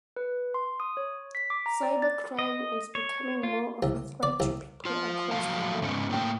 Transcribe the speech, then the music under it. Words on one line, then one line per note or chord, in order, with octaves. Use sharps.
Cyber-crime is becoming more of a threat to people across the world.
B4
C6
D#6
C#5
B6
D6
A#5
D5
A6
D#5
C#5
F4
C2
D5
C2
F4 C5
A#2 D#3 F3 F#3 F5 A5
G#2 C#3 B3 C#4 D#4
A2 A#3 G5